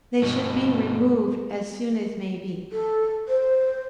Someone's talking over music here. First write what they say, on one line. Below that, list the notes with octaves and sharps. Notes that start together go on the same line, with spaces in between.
They should be removed as soon as may be.
G2 B2
A4
C5